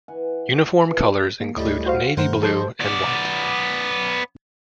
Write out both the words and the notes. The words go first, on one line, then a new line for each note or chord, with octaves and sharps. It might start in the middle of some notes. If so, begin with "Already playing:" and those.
Uniform colors include navy blue, and white.
E3 F#5 G#5
E3 F3
A#3
D2 A2 G3 A3 D#5
F#4 C5 F5
G2 D#3 A3 A#4 C5 F#5
D#2 G#2 F3 A4 C5 D#5
B3 D5